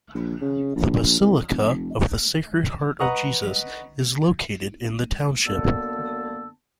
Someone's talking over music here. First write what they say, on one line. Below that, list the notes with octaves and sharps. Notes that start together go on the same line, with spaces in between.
The Basilica of the Sacred Heart of Jesus is located in the township.
A#1
C#3
A#1
C2
F1
B4 D#5 F#5 A#5 C#6 D#6
F#2 D3 A#3 B3 A5 E6